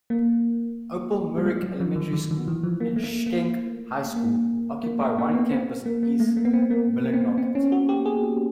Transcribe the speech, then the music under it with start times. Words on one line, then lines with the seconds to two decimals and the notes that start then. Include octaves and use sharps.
Opal Myrick Elementary School and Schenck High School occupy one campus in East Millinocket.
0.10 A#3
1.38 G3
1.45 G#3
1.63 F#3
1.80 F3
1.96 D#3
2.13 D#3
2.31 D#3
2.48 E3
2.63 F3
2.80 A#3
2.96 A3
3.04 A#3
3.26 A#3
4.16 A#3
4.83 A#3
5.01 A3
5.18 A#3
5.35 B3
5.52 C4
5.86 A#3
6.03 A#3
6.20 A3
6.37 A#3
6.45 B3
6.53 C4
6.70 A#3
7.04 A#3
7.13 C4
7.21 B3
7.38 C4
7.55 C#4
7.72 F#4
7.89 G4
8.06 G#4